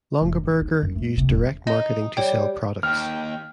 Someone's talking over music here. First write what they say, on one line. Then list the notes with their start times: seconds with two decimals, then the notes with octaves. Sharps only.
Longaberger used direct marketing to sell products.
0.21 F1
0.43 D1
0.61 D#4
0.83 F#2
0.95 A3
1.17 C3
1.30 E1
1.67 D#4 D#5
2.17 G3 C#5 G5
2.83 D#2 G5 F6